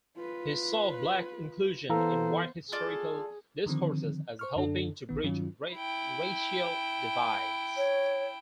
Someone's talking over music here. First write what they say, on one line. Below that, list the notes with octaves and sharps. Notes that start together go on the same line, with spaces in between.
He saw black inclusion in white historical discourses as helping to bridge racial divides.
F4 B4
E3 B3 E4 A4 C5 F5 A#5
F4 G#4 A4 D5
D3 D#3 F3 C4
C5 C#6 F6
F#2 D3 D4 A4
A#1 D#3 B3
G2 D#3 F#3 C#4 F4
E4 G5
C#5